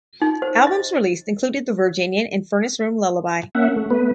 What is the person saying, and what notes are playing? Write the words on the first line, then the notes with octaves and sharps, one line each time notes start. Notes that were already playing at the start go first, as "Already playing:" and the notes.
Albums released included "The Virginian" and "Furnace Room Lullaby".
D#4
C5
D#5
A#3 C#4 E5 F#5
A3
A3 B3 B4